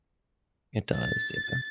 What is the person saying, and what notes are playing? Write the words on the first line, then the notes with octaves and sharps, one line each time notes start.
It does, yeah.
A6